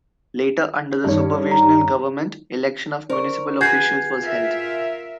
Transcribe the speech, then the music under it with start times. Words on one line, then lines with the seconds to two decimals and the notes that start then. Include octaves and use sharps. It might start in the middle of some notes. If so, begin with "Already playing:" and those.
Later, under the supervisional government, election of municipal officials was held.
1.04 G2 D#3 C#5
1.51 A#5
3.10 A#4 C5 D5 C#6
3.61 F#4 G#4 B4 G#5 G6 G#6 C7
4.20 F4 A#4 E5